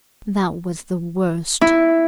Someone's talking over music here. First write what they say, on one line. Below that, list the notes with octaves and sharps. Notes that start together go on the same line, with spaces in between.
That was the worst!
E4